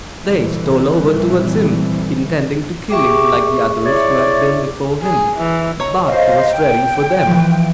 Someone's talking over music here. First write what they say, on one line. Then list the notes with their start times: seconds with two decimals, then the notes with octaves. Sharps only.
They stole over towards him, intending to kill him, like the others who had been before him: but he was ready for them.
0.24 A#1 C3 E3 G3 A3
2.91 G4 G#4 E5 C#6 D6
3.85 E4 C#5 D5
5.01 G#4
5.37 E3
5.80 C#5 A#5
6.07 C5 D#5 F5
6.51 G5
7.27 E3 F3